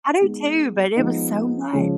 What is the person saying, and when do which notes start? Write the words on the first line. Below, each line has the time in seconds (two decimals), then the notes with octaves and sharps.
I do too, but it was so much.
0.20 G#3 B3 D#4
0.96 F3 G#3 B3 D#4
1.72 C#3 F3 G#3 C#4